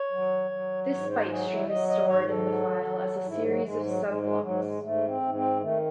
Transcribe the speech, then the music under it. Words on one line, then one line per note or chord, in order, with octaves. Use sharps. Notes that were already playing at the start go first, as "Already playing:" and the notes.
This byte stream is stored in the file as a series of "sub-blocks".
Already playing: C#5
F#3
F#3
G#2 C#5
C5
F#3 G#4
E4
F#3 D#5
D#5
G#2 C#5
A4
F#3
F#3
G#2 E4
F#3
G#2 G#3
F#3
G#2 G#3
G#3
G#2 F#3
G#3
G#2 A3
C4
G#2
C4
D#3 A3